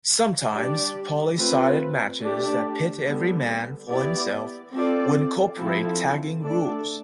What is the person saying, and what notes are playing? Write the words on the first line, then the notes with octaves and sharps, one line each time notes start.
Sometimes, poly-sided matches that pit every man for himself will incorporate tagging rules.
G3 D4 G4 D5
A3 C4 F4 B4
A3 D4 G4 D5
D3 G3 B3
B3 E4 G4 D5
C4 F4 A4 D5
F3 C4 E4 A4
A3 D4 A4 D5